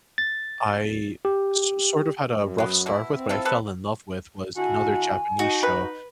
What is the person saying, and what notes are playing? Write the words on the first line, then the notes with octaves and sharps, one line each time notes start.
I s sort of had a rough start with but I fell in love with was another Japanese show
A6
G4
F#2
G#3 B3
B2 E4
C4
E4 F4 A4
C3 A4 B4
D3 E4 F#4 G#5
D#4 F#4
B4